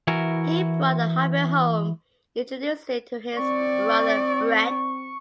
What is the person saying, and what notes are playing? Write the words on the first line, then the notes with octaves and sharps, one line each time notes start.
He brought the hobby home and introduced it to his brother Bret.
E3 E4 F#4 A#4
C4 D5 C#6